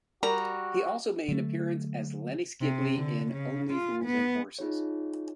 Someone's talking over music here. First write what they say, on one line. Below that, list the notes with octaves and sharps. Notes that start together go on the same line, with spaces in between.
He also made an appearance as Lennox Gilbey in "Only Fools and Horses".
G3 F#4 A#4 A#5
D3 F#3 A3
C3
D3
C#3
F4
B3
D#4 F4 G#4 C#5